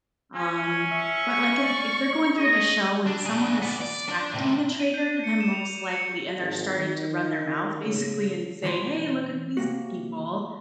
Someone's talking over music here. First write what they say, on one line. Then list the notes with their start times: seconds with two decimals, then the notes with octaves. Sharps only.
um, but like if if they're going through the show and someone is suspecting a traitor, then most likely and they're starting to run their mouth basically and say, "Hey, look at these people,"
0.35 C#4 G#5
0.92 E5 C#6
1.63 D5
2.37 G#4 D#5
3.07 D4
3.26 D4 G#4
3.62 B3 D5
3.81 D5
4.09 D4 D5
4.34 A2 C3
4.80 D#7
4.94 G6
5.24 C#7
5.40 E7
5.53 F7
5.92 C#7
6.38 G#1
6.79 D#3
7.84 C#3
8.62 B1 E3 C#5 C6
9.57 C3 A#3 F#4